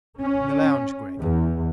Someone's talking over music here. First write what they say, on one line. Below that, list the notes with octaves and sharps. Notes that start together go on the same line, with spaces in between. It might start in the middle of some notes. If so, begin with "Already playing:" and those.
"In the lounge, Gregg?"
C#4
E2